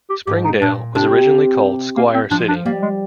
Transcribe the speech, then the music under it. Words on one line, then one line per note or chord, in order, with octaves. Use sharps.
Springdale was originally called Squire City.
G4
G#2 G4
D#4
A#2 D4
C3 D4
A#3
C4
F3 D4
D4
G3 A#3
G#3